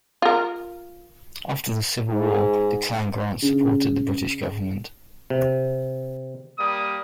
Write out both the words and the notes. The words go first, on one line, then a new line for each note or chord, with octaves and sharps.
After the Civil War the Clan Grant supported the British government.
F4 A#4
G#2
C#3
C3
G3 A#3 D#6